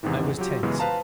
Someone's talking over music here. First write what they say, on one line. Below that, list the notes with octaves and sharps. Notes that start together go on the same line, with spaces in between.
I was tense.
E2 G#2 C3 D#3 E3
F#3 F4 G4
F#2 C#3 E3 G#3 B3 C#4
B4 C5 F5 A5 A#5